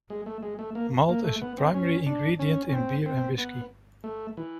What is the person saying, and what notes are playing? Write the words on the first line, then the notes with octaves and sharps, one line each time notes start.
Malt is a primary ingredient in beer and whisky.
G#3
A3
G#3
A3
A#3
A#3
A3
B3
C4
C#4
D4
C#4
C#4
C4
C4
B3
A3
E3